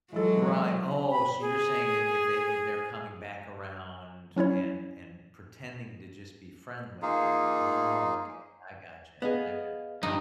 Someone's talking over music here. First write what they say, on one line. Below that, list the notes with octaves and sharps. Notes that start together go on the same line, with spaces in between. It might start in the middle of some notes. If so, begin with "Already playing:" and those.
Right. Oh, so you're saying that if they if they're coming back around and and pretending to just be friendly oh, okay. I gotcha, I gotcha.
E3 F#3 G#3 A4
B5
G#4
F#3 C#4 E4 C#5
A#3 D#4 F4 G#4
B3 G#4 D#5 F5
G2 F3 D#4